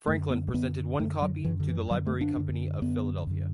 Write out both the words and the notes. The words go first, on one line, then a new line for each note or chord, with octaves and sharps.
Franklin presented one copy to the Library Company of Philadelphia.
F#2 D3 A3
B3
F#2 D3 B3
F#2 D3 A3
F#3
F#2 D3 E3
D3
E3
F#2 D3 F#3
A3
D4
F#2 D3
F#2 D3 B3
F#2 D3